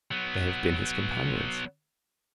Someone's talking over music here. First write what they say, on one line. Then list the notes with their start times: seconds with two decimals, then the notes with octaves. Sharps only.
They have been his companions.
0.11 F#3 B3